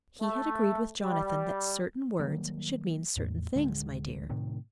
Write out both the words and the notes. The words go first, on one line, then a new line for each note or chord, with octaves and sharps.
"He had agreed with Jonathan that certain words should mean certain things, my dear."
A3
G3
D#3 F#3 G3 A#3
E2 A2
D1 D3 G#3
A2 C3 D#3